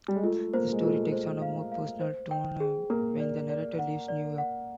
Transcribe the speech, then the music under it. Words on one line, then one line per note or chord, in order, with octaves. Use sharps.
The story takes on a more personal tone when the narrator leaves New York.
G3
G#3
A3 F4
A#3 C5
G#3
A3 F4
C5
F5
F5
C5
G5
G#4
A#3 A#4
D5
D5
F#5
D5
F#5